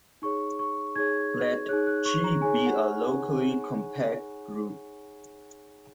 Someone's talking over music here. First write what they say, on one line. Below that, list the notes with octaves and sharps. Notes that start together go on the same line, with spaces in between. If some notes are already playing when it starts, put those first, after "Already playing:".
Let "G" be a locally compact group.
D#4 G#4 C#5 C#6
C#6
D#4 G#4 C#5 G#6
D#4 G#4 C#5 F#6
F#6
C#6
A#5
D#4 G#4 C#5 G#5
F#5